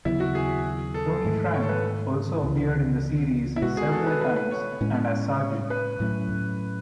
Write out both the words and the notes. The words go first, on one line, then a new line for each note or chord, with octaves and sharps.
Tony Franke also appeared in the series several times and as Sgt.
D#2 C#3 F#3 B3 E4
F#4
G#4
A4
G#2 D#3 A3
C#5
A4
B4
C#2 C#3 E3
E4
B2 G#3 B3 F#4
G#4
A4
B4
B4
B4
C#5
A2 G#3 C#4
C#5
B4
A2 F#3 A3 C#4